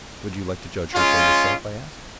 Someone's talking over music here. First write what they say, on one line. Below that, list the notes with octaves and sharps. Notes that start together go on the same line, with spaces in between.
"Would you like to judge for yourself?" I asked.
G#3 C#4 F4